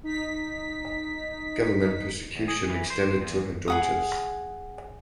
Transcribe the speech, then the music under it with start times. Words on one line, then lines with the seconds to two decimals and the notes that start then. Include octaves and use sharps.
Government persecution extended to her daughters.
0.03 D#4 B6
2.36 E2
2.48 G#4
2.70 E3
2.90 C5
3.21 E2
3.68 G#4 F#5 D#6